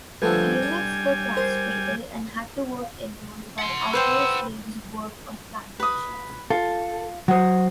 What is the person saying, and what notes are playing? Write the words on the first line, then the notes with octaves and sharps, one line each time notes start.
Eunuchs were castrated and had to work indoors while outdoor slaves worked in plantations.
D3 F3 G3 A3 A4 B4 G#5
D4
A#4 C5
F#5 C6
B4 C5 G5 E6
B4 D#6
F4 A4
F#3 F#4 C5 D#6